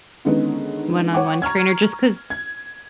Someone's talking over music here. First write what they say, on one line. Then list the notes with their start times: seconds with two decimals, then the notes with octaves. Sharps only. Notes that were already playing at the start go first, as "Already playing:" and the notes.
one-on-one trainer, just 'cause
0.25 D3 D#3 G#3 B3 C#4 D#4
1.13 C#5 F#5 G5 D6
1.42 A#5 C#6 F6 G#6
2.30 G#6